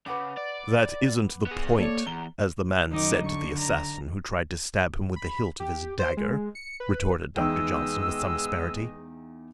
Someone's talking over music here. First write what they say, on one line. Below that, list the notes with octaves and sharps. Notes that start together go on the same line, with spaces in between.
"That isn't the point, as the man said to the assassin who tried to stab him with the hilt of his dagger," retorted Doctor Johnson, with some asperity.
C#3 B4 F#5 D6
D5
B3 G#4
A#3 A4 C#5 D5
E2 A#5 G7
F#2 D#3 D#4 D6
D3 C#6
A#5
B5
G4
C5
G#3
C#7
B4
E2 G#3 B3 D#4 D#5 G5 E6